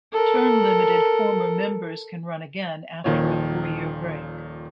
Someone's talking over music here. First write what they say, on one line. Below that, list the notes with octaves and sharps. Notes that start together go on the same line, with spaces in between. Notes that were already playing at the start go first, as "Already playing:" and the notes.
Term-limited former members can run again after a four-year break.
A4 A#4
D#1 A#2 D#3 F3 C#5